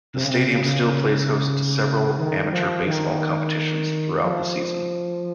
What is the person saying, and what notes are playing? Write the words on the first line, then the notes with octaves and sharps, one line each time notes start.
The stadium still plays host to several amateur baseball competitions throughout the season.
C3
C#3
C3
C#3
C#3
D#3
F3
D#3
F3